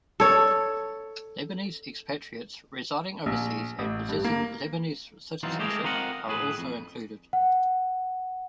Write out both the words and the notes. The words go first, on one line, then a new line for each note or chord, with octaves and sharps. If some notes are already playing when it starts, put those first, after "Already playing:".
Lebanese expatriates residing overseas and possessing Lebanese citizenship are also included.
A4 C#5
A#1
A1
G2
A#3
E3 F#3 C4 D#4 F4
G#3 A3 C4 G4 G#4 A#4
C4 F4 A#4 D#5 F#5
A2 G#4 B4
F2
F#5